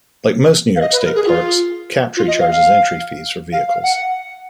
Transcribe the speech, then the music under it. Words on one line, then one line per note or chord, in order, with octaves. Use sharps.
Like most New York State Parks, Captree charges entry fees for vehicles.
F5
D#5
B4
A#4
G#4
F4
F4
D#5
F5
F5
F5
F5
F#5